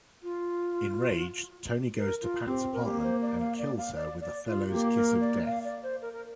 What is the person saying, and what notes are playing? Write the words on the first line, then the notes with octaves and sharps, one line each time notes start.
Enraged, Tony goes to Pat's apartment and kills her with Othello's kiss of death.
F4
A#4
F4
C4 G4
A#4
A#3 G4
C5
D5
F5
D5
F5
D5
D5
F4
A#3 G4
A#4
D5
F5
D5
C5
A#4
A#4